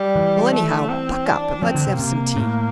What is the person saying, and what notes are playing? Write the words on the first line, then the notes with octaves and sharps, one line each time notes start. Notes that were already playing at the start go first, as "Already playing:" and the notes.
Well, anyhow, buck up, and let's have some tea.
Already playing: G3
E3
A3
C4
D4
F3 C4
D3
C3
C3 A#3
A2